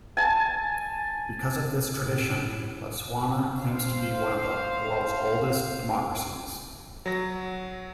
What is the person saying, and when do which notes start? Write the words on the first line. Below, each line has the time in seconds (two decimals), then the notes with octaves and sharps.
Because of this tradition, Botswana claims to be one of the world's oldest democracies.
0.17 G#5 A5
2.05 A2
3.60 C5 F5
7.06 F#3 A#6